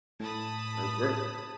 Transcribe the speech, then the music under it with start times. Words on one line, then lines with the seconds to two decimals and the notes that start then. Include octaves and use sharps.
that's great.
0.20 A2 A5 B5 D#6